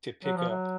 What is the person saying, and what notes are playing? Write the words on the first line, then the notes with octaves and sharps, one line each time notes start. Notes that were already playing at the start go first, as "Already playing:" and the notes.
to pick up
F#3
F3
F#3